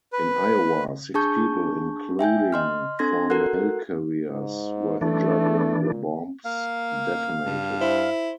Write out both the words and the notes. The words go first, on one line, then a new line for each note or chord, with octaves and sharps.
In Iowa, six people, including four mail carriers, were injured when the bombs detonated.
B4
D4 G#4 A5 C#6 G6
E5 G5 G#5 G6
D#5 C6 F6
C4 D4 A4 C6 G#6 A#6
F#4 A4 A#4 F#5 F#6
G#2
E3 A3 D4
A#2
A#3 F5
G2
E4 C5